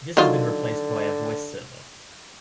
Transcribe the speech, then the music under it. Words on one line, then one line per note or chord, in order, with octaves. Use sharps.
This has been replaced by a voice server.
D3 D#3 F#3 F4